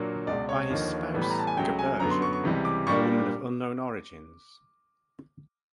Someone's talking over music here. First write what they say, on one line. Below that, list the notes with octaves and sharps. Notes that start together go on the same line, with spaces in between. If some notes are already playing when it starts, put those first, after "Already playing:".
By his spouse, Gerberge, a woman of unknown origins.
Already playing: A#2 F#3 A#3 D4
C#2 B2 G#3 D5
C#5
D#2 D3 F3 A#3 D#4
A2 E3 G3 B3
B5
A#5
A5
G#5
C#2 C#3 F#3 A3 G5
G#5
F#2 D3 F#3 B3 A#5
C6
C#6
C#6
C#2 C3 E3 G3
D6
A#2 G3 A#3 D4 C#6